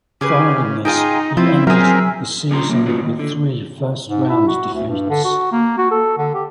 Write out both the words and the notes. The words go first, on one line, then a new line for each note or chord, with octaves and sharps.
Following this he ended the season with three first round defeats.
C#3 G4 G#4 B4
D#4 F4 G#4 G5
F3 C4 E4 F4
F#3 C4 G#4 A#4 E5
D3 F#3 C#4 F4 A#5 C6
F#3 A#3
A2 C#3 B3 F4 F#4
D#2
D3
G#2
E4
F#4
D2
G2
D3
F#4
A#3
F#4
A4
D3
G4